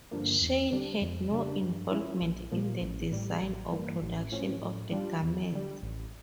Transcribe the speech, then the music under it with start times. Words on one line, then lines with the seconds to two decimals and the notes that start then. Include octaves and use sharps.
Shein had no involvement in the design or production of the garments.
0.11 G2 D3 F3 A#3
0.41 E2
0.72 D3 G3 D4
1.02 F2
1.31 C#3 G3 D4
1.62 G2
1.91 F3 C#4 E4
2.22 A#1
2.52 A#2 F3 A#3
2.81 A1
3.12 A2 G3
3.42 A1
3.72 G2 E3 A#3
4.02 A1
4.32 A2 F3 C#4
4.62 A2
4.92 G3 D4 F4
5.22 E2
5.52 D3 G3
5.82 A1